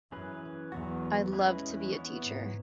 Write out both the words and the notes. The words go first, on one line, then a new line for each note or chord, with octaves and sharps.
I’d love to be a teacher.
F#2 E3 C#4 G#4 B4
E2 F#3 B3 F#4
G#3 C#4 E4 G#4 B4
E2
B3 E4 C#5
G#2